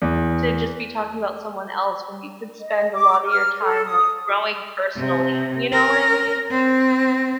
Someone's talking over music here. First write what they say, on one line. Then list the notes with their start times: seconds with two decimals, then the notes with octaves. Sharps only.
to just be talking about someone else when you could spend a lotta your time, like, growing personally, you know what I mean? Like
0.02 E2
2.61 D#5
2.94 D6
3.27 F6
3.62 A4
3.85 D#6
4.97 C3
5.73 A#4
6.51 C4